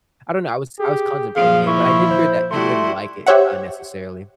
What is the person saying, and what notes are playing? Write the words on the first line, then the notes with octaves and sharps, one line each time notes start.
I don't know. I was I was contemplating it, but I did hear that people didn't like it, uh, necessarily.
G4 G#4
A#2 F3 G#4 F5
E4 C#6
C5
G3 A3 E4 F#4 C6
G4 C5 C#5 E5 F#5